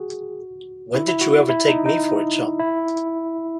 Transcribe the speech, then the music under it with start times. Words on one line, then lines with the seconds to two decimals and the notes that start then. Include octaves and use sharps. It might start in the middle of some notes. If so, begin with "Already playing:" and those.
When did you ever take me for a chump?
Already playing: F#4 G#4
0.95 E4
1.08 E4
1.21 F#4
1.49 E4
1.68 D#4
1.86 D#4
2.60 E4